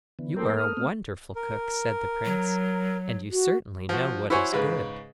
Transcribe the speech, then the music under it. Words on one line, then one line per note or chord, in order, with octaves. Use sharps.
'You are a wonderful cook,' said the prince, 'and you certainly know what is good.
D3 E3 B3
A2 F3 A3 A#3 C4 A#4
A4 D#6 F6
A3 B3 C4
A#4
F#3
F#4
F3 F#4
E4 F#4 C5 C#5 G#5
G#2 C#3 B4